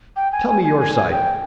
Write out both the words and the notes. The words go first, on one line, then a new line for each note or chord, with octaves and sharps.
Tell me your side.
G5
G#5
G#5
G#5
G#5
G#5
G5